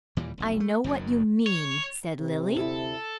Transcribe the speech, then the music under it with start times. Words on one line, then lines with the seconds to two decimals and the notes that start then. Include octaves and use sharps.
"I know what you mean," said Lily.
0.17 D#2 A#2 E3 G3
0.38 F1 B1
0.60 A3
0.84 F#1 F#2 D#3 F#3
1.46 C#5
2.20 C3
2.57 D2 E4 A4